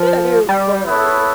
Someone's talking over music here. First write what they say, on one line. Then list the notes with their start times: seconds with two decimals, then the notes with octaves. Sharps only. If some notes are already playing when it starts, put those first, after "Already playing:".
That is funny.
Already playing: F3
0.49 G3
0.87 B3 E4 A4 C#5 E5